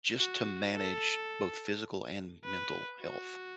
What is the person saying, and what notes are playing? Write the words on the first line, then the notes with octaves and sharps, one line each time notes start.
just to manage both physical and mental health
F#4
A4
B4
F#4